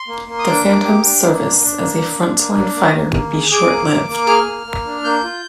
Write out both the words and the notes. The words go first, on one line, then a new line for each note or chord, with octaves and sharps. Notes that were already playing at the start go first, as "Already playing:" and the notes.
The Phantom's service as a frontline fighter would be short-lived.
Already playing: C6
A#3
A#3
D#6
D4 D6
A#3
G4
D4
A#3
D4
D4
A#3
D4
D4
A#3
D4
A#3
A#3
A#3
G#4
G#4 D6
A#3
A#3
A#3
G#4 F6
A#3
A#3
D4
A#3 G6
F4